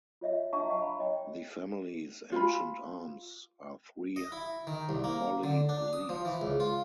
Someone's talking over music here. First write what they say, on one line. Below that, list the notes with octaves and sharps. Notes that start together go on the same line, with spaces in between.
The family's ancient arms are three holly leaves.
F4 C#5 D#5 E5
D4 E5 F#5 A5 A#5 C#6
D#5 F5 F#5 A5 A#5
F5 B5
C#5 D#5 G5
F4 G#5 B5
D#5
E4
D#3
C2
A#3
D3
D4
D#6
F3
E3
C#2
F4